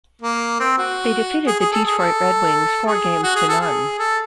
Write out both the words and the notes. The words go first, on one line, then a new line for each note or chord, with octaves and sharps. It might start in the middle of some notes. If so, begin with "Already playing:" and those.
They defeated the Detroit Red Wings four games to none.
A#3
C4
F#4
G#4
G#4
A4
G#4
A4
G#4
F#4
G#4
A4
G#4
A4